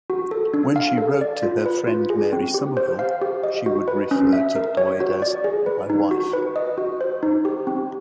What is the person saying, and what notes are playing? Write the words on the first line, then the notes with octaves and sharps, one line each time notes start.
When she wrote to her friend Mary Somerville, she would refer to Lloyd as “my wife”.
F#4
A4
D4
F5
A4
D5
F4
B4
F4
G#4
C4
G4
C5
F5
G4
D#5
F#4
B4
C#4
E5
A#4
C#5
F#4
D5
G#4
B4
D#4
F#4
B4
D#5
F#4
C5
D#4
G4
C4